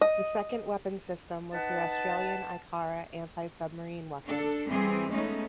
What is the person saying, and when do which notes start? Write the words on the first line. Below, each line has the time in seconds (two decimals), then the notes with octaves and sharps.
The second weapon system was the Australian Ikara anti-submarine weapon.
0.01 D#5
1.53 D#4 B4 F#5 A5
4.23 D4 A4
4.67 E3 G3 C4 G#4
5.10 G#3 A3 B3 C#4 D#4